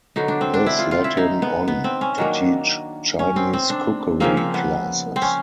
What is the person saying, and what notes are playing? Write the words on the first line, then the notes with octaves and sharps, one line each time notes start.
This led him on to teach Chinese cookery classes.
D3 F#3 B3 D#4
D4
C4
D4
E4
F4
F4
E4
D#4
B3
B3
C4
C#4
D#3 F#3 A#3 D4
C#4
C4
C4
D4
C#3 F3 A#3 C4
C4
B3
C4
C#4